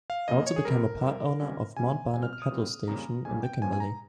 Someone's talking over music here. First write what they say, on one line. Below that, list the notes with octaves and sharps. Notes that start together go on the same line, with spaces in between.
He also became a part owner of Mount Barnett cattle station in the Kimberley.
F5
F2 C#3 F3 A#3 D#5
C#5
G#4
F2 C3 G3 A#4
F2 C3 G3
C3 G3 C#4
C3 G3 C#4 G#5
A#2 G3 C4 G#5
F6
F6
D#6
A#2 G3 C4
F2 C#3 G3 A#3 C#4 A#5
F2 C#3 G3 A#3 C#4 G#5
G5
G2 F3 A#3 C#4 G#5
G#5
A#5